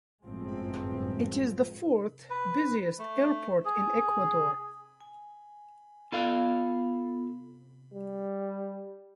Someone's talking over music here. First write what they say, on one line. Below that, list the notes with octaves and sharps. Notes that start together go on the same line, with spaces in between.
It is the fourth-busiest airport in Ecuador.
G1 F#2 A2 F3 G#3 C4
B4
A3
G#4
G#5
B3 F4 A4 F5
G3